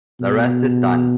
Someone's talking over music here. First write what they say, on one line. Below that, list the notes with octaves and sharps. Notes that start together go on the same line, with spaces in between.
The rest is done.
B2